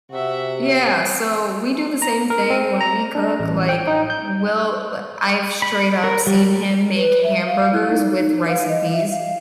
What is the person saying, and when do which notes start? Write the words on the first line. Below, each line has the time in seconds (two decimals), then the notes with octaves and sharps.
Yeah, so we do the same thing when we cook, like, we'll l I've straight up seen him make hamburgers with rice and peas.
0.11 C3 F#4 E5
2.02 A#5
2.30 A#4
2.50 C4
2.81 A#5
3.15 D4
3.40 A1
3.69 G5
3.87 D#4
4.10 G6
5.62 B5
6.04 A#4
6.27 G3
6.95 B4
7.24 E5
7.46 F5
7.73 E4
7.89 D#4
8.18 D#4
8.48 F5
8.68 D#5
8.92 E5
9.10 F5